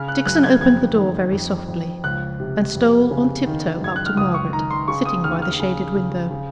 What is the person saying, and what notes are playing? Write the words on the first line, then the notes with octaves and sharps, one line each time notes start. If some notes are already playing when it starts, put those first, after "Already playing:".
Dixon opened the door very softly, and stole on tiptoe up to Margaret, sitting by the shaded window.
Already playing: C#3 F6
F#6
F#2 F#6
G#6
F2 G#6
D#3
F2
F2
C#2 F#6
C3
F2
C#3
D#3
F#2 G#6
F#6
F6
C#2 D#6
C#6
D#3 A#5
C6
C#3 C#6
D#6
D#2 F6
F6
C#3
C#3
C#3